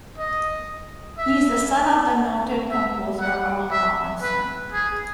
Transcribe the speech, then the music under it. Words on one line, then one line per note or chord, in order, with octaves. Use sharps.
He is the son of the noted composer Earl Robinson.
D#5
E5
E5
F#5
E5
B4
G#4